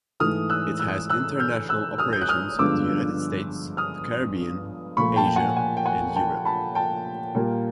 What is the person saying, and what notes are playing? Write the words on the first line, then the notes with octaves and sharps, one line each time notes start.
It has international operations in the United States, the Caribbean, Asia, and Europe.
G#2 E3 A3 D#6 F6
E6 F#6
E6 F#6
E6 F#6
F6 G6
E6 F#6
D#6 F6
G6
F#6
D#6 F6
G2 D3 F3 G#3 B3 D6 E6
D#6 F6
A#2 F3 A3 B5 C#6
G5 A5
G5
F#5 G#5
F#5 G#5
G5
F#5 G#5
G5 A5
A5 B5
G5 A5
A#2 G3 A#3